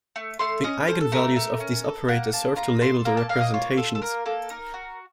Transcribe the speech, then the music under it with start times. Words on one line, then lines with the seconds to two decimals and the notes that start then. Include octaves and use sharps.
The eigenvalues of these operators serve to label the representations.
0.16 A3
0.39 A3 C6
0.64 C#4 D#5
0.88 A4 C5
1.01 A4
1.12 A3 A#4
1.36 A3
1.60 C#4
1.84 A4
2.08 A#3 F#5
2.33 A#3 A5
2.56 F4 A#5
2.81 A4 C6
3.05 A#3 A#5
3.17 A5
3.29 A#3 F5
3.41 D#5
3.54 F4 C#5
3.77 A4
3.95 A4
4.02 A#3 A#4
4.26 A#3 A4
4.50 D#4 A#4
4.74 F#4